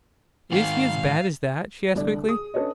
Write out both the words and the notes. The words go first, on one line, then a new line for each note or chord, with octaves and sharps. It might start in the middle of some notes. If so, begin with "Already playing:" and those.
"Is he as bad as that?" she asked quickly.
G#2 D#3 F5
C2 D3 D4 D5
G#4 D#6
C#4 D4 A4 B4 C#5 D#5